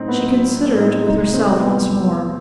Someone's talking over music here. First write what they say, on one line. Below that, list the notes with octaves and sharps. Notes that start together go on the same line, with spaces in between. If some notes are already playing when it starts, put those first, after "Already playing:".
She considered with herself once more.
Already playing: A2 F#3 C4 D#4
B3
F#3 B3
A2 C4
D#4
C4
C3 D#4
C4
F#3
B3
E2